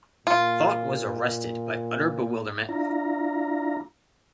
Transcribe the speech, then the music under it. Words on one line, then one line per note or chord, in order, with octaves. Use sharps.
Thought was arrested by utter bewilderment.
A#2 F4
D4 E4 F4 A#5